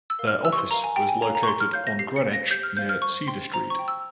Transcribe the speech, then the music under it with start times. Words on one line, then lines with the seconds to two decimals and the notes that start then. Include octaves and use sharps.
Their office was located on Greenwich near Cedar Street.
0.10 E6
0.19 A#4 F5
0.27 F6
0.45 G4 E6
0.53 C#6
0.58 C6
0.71 A#4 F5 A#5
0.84 G#5
0.96 G4 G5
1.09 G#5
1.22 C#5 F5 A#5
1.35 A#5
1.43 C#6
1.48 G4 C6
1.60 F6
1.73 C#5 F5 G6
1.87 A#6
1.99 G4 C7
2.16 C#7
2.24 C5 F5
2.33 A#6
2.50 G4 G6
2.63 F6
2.76 C5 F5 G6
2.89 F6
3.02 C5 C#6
3.27 G5 C6
3.54 C5 A#5
3.70 C#6
3.79 G5
3.88 E6